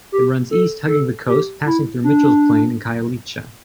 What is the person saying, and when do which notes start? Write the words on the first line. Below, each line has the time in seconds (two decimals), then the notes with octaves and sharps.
It runs east, hugging the coast, passing through Mitchell's Plain and Khayelitsha.
0.12 G4
0.51 A4
0.88 A4
1.28 G4
1.66 E4
2.04 D4